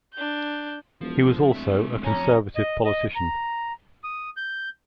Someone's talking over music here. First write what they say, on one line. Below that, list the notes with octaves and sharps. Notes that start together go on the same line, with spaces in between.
He was also a Conservative politician.
D4 G6
E1 F3
D1 G#3 E5
F2 C#4 A#5
D#5
D#5
A#5
D#6
G6